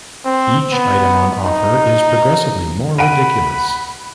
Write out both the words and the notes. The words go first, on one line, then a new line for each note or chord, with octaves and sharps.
Each item on offer is progressively more ridiculous.
C4
B3
D#4
F#5 B5 D7 D#7